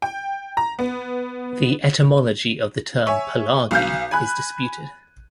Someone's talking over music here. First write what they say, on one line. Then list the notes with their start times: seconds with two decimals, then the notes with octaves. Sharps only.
The etymology of the term "Palagi" is disputed.
0.02 G5
0.57 A#5
0.79 B3
3.07 C#5 E5 G#5
3.71 B1 F5 G6
4.11 G#5 B5 F#6